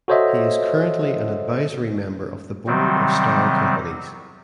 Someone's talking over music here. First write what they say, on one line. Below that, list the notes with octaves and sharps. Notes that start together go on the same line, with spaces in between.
He is currently an advisory member of the board of Starr Companies.
F#4 A4 C5 C#5 D#5 E5
C3 D#3 F#3 G3 C4